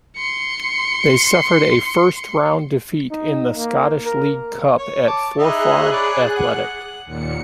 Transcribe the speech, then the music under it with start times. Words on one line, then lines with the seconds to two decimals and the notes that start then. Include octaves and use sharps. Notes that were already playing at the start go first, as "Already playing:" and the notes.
They suffered a first round defeat in the Scottish League Cup at Forfar Athletic.
0.17 C6 C#7
3.11 D#4
3.56 A#3
4.05 A#4
4.78 C#5
5.07 A5 D6
5.38 D#4 E4 G#4 E5 F#6
5.92 C#5 D5 B5
6.37 F#5
7.06 D#2 A#2 C#7